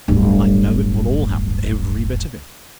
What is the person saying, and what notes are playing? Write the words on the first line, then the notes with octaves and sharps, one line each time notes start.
I know it will all happen- -every bit of it.
D1 G1